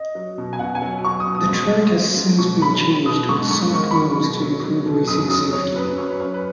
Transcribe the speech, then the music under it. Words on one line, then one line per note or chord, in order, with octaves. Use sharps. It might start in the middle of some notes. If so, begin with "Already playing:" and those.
The track has since been changed with soft walls to improve racing safety.
Already playing: D#5
F#3
B2
G#5
B2 F#5
G#5
F#3
F#3 C#6
D#6
B2
D#6
G#2
F#3
F#3
G#2
B2 C#6
F#3 B5
F#3
B2 D#6
G#2 C#6
G#2 C#6
D#3 C#6
B5
F#3 C#6
B2
F#3
F#3
B2
F#2 D#6
F#3 D#6
F#3 C#5
F#2 B4
F#2 C#5
B4
F#2 C#5
B4